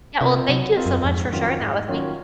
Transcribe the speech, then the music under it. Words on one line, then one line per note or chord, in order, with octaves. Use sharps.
Yeah, well, thank you so much for sharing that with me.
C3 C4 F4 A#4 D#5
C3 F#3
C4 F4 A#4 D#5
F#2
F2 G#2
D#3 F#3 C#4 F4
G#2
D#3 F#3 C#4 F4